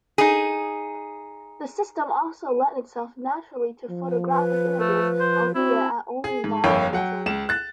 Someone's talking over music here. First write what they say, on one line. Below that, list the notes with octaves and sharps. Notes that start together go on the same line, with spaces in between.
The system also lent itself naturally to photographic images, albeit at only moderate resolution.
D#4 G#4
F3
B4
A3
C5
C4 E4 F#4
G#4
G#2
G1 F2 A#3 C#5 G5 B5
F#3 F#5 G5
C#2 E7
F#6 A6